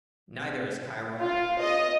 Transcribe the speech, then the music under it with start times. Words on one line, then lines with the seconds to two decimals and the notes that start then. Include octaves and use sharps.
Neither is chiral.
1.20 F4
1.61 D#5